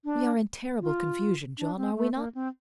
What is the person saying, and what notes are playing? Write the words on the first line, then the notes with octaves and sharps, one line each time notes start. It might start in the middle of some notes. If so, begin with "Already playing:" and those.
"We are in terrible confusion, John, are we not?"
D4
F4
D4
C4
A3
A#3
C4